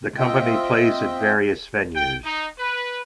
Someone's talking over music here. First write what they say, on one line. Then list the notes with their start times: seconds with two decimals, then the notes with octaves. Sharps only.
The company plays at various venues.
0.18 C4 F4 D#5 E5 G5
1.94 G5
2.24 D#4
2.57 B4